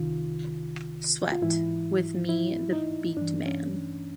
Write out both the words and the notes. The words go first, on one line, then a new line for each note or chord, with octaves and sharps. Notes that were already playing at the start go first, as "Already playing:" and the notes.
Sweat - with me the beat man.
Already playing: C2 C3 D#3 F4
F4
G#2 E3 E4
E4
D#4
G2 E3 D4
C#4